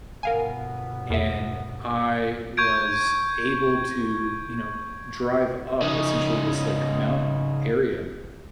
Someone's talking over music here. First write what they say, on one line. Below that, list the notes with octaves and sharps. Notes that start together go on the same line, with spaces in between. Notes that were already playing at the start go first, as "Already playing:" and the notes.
and I was able to, you know, drive up essentially this, like, mountain area,
G1 B2 B3 A#4 F5 G#5
E2 E5
C#6 G6 G#6 D7
C#3 D#4